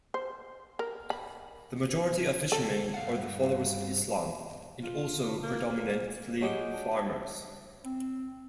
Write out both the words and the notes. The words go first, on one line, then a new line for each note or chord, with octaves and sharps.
The majority of fishermen are the followers of Islam and also predominantly farmers.
C5
A#4
B5
A4
G2 F5 F#5
F4
A#3
F#3 G#3 G4 G5
D4
C4